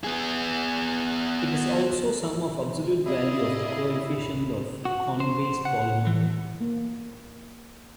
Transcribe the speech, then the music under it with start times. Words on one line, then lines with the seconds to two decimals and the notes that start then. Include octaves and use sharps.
It is also sum of absolute value of the coefficients of Conway's polynomial.
0.04 B3 G#4
3.06 C3 E4 G#4 D5 D#5 F5
4.85 F#4
5.20 C5
5.65 F#5
6.07 E3
6.61 A#3